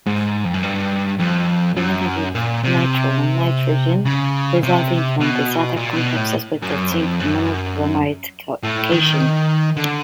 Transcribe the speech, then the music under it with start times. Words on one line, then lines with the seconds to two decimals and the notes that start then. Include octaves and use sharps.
The negative nitrile nitrogen resulting from this attack complexes with the zinc monobromide cation.
0.06 G#2
0.44 F2
0.54 F#2
0.63 G2
1.19 F2
1.77 F#2
2.35 A#2
2.63 C3
4.05 C#3
4.63 C3
5.21 B2
5.77 A#2
5.96 B2
6.16 A2
6.62 F#2
6.91 F2
7.20 F#2
8.63 A2
8.92 D#3
9.76 D3